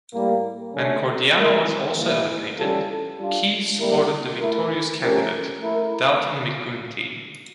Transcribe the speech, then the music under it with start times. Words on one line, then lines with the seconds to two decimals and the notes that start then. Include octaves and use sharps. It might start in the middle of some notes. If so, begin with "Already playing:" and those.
When Cordiano was also eliminated, Keyes supported the victorious candidate, Dalton McGuinty.
0.14 A2 G3 A#3
0.74 D3 A3 C#4
1.35 A3 E4 A#4
1.96 A2 E3 G3 A#3 E4
2.57 E3 G3 C#4 F4 A4
3.18 G3 D4 F4
3.79 D3 G3 A#3 E4 A#4
4.39 A3 E4 A#4
5.01 F3 A3 C#4 G4 A#4
5.61 A3 E4 A#4